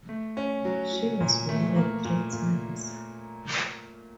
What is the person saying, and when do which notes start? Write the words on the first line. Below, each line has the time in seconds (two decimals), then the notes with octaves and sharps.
She was married three times.
0.09 A3
0.37 C#4
0.65 F#3
0.93 F#3
1.20 A#2
1.49 A3
1.76 A#3
2.05 A#2
2.33 A#2